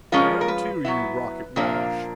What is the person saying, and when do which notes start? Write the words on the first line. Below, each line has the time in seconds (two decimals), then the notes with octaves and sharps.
"Stand to, you rocket wash!"
0.12 F3 G#3 C#4 F4 A#4
0.41 A#4
0.48 B4
0.85 F#3 B3 E4
1.56 A#2 F3 A#3 D4